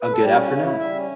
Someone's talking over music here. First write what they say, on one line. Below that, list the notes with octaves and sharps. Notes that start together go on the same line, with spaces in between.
a good afternoon.
B4
A4
G3 G4
C#4 F#4
C#3 F#4
E4 F#4
G3 E5
C#4